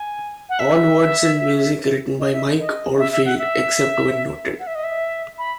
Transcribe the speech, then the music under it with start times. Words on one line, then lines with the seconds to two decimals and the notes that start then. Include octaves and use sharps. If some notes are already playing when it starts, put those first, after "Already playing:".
All words and music written by Mike Oldfield, except where noted.
Already playing: G#5
0.49 F#5
0.59 E5
2.20 D#5
2.33 E5
2.60 D#5
2.99 E5
3.12 E5
3.25 F#5
3.39 E5
4.60 F#5
4.67 E5
4.75 D#5
4.84 E5
5.38 B5